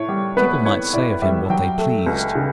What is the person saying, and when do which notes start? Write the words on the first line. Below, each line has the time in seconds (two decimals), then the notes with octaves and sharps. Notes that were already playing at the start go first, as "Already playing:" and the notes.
People might say of him what they pleased.
Already playing: A2 C#5
0.08 G3
0.37 B3 B4
0.65 A2 C#5
0.93 A2 D5
1.22 G3 E5
1.50 F#3 G5
1.78 A3
2.07 C#2
2.35 C#3